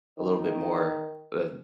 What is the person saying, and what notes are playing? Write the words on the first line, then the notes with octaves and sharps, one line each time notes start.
a little bit more, uh,
D#3